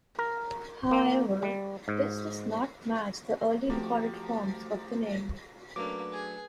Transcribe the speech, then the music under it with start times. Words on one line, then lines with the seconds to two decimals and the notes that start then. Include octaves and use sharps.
However, this does not match the early recorded forms of the name.
0.19 A#4
0.91 A#3
1.43 G3
1.88 G#2
3.70 F3 A3 F#4 G4 A#5 D6
5.76 F#3 A3 A#3 C#4 D4 B4 D6
6.12 G#4 G#5